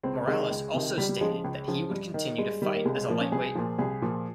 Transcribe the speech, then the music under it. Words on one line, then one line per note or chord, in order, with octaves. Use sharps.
Morales also stated that he would continue to fight as a lightweight.
C#2 C4
C3 D#3 G#3
C#2
C3 D#3
C#2 G3
G3
C#3 F3 G#3
G#3
C#2
C#3 F3
G2
D#3
G2 G#3
D#3 G3
A#3
C2 G#3
G#3
A#2 F3 A#3
C#4
C2 G#4
A#2 F3
C2 G#4
A#2 F3